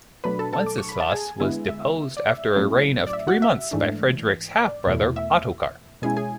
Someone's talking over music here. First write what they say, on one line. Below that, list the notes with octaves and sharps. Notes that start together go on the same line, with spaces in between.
Wenceslaus was deposed after a reign of three months by Frederick's half-brother Ottokar.
B2 F#3 A3 D4 B4 B5
A4 A5
A4 A5
D6
C#6
B5
A5
G#4 G#5
D3 G#3 B3 E4
E5
D5
E5
A2 F#3 A3 C#4 E4
D5
E5
F#4 F#5
E5
G#2 E3 A3 D4
D5
E2 B2 A3 E4
E5
B2 G#3 C#4 E4 G#4 G#5
G#4 G#5